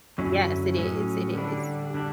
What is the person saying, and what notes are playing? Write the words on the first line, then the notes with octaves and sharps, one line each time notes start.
Yes, it is, it is.
F#2 D3 F#3 C#4 E4
A2 F#3 C#4
D3 G3 D4
D3 G3 D4